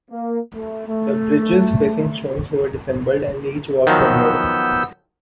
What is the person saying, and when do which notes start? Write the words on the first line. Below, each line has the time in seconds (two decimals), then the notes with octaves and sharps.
The bridge's facing stones were disassembled, and each was numbered.
0.10 A#3
0.55 A3
0.87 A3
3.87 D#3 F3 F#3 B3 E6 G6